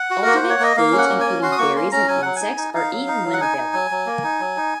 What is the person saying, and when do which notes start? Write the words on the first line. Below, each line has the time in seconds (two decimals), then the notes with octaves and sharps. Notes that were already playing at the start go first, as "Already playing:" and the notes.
Alternate foods, including berries and insects, are eaten when available.
Already playing: F#5
0.10 F#4
0.22 A#3 A#4
0.36 C5
0.43 A#3
0.49 C#5
0.60 A#3 D#5
0.77 A#3 F5
0.92 C#4
0.98 F#5
1.09 A#3
1.20 G#5
1.26 C#4
1.43 F#4 C6
1.52 D#6
1.59 A#3 C#6
1.76 C#4 C6
1.92 C#4 A#5
2.08 F#3 G#5
2.22 F#3 F#5
2.36 G#5
2.41 D#4
2.57 D#4
2.74 D#4 F5
2.92 F#3
3.07 D#4
3.24 F#3
3.33 F#5
3.40 D#4 G#5
3.58 D#4
3.74 F#3
3.91 F#3
4.06 A#3
4.23 D#4
4.40 F#3
4.57 D#4